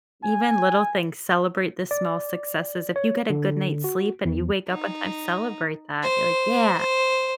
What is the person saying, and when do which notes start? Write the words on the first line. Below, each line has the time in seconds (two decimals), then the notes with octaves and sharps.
even little things, celebrate the small successes, if you get a good night's sleep and you wake up on time, celebrate that, be like, "Yeah"
0.24 G#5
1.91 D5
2.96 C#5
3.30 D3
3.84 F#4
4.25 E2
4.69 D#4
6.03 C5
6.78 C5